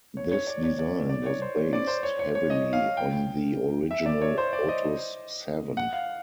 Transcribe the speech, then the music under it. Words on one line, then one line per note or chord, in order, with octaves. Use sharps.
This design was based heavily on the original Lotus Seven.
C#5
C#5
D5
C#5
D5
D5
C#5
C5
C#5
D5
C5
C#5
C#5
C#5
D#5
F5
G5
E5
D5
C#5
C5
D5
D#5
F#5
F5